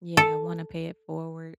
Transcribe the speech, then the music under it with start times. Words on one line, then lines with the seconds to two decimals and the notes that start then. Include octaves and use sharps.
Yeah, wanna pay it forward.
0.17 A4